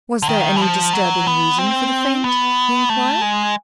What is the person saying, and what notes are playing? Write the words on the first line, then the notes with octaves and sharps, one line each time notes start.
"Was there any disturbing reason for the faint?" he inquired.
D3
D#3
E3
F3
F#3
B3
C4
B3
A3
G#3